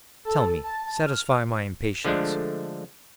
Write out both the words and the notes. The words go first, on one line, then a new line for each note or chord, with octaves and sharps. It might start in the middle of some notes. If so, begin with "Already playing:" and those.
"Tell me; satisfy my impatience."
A4
A5
F6
D3 F3 G#3 A3 D4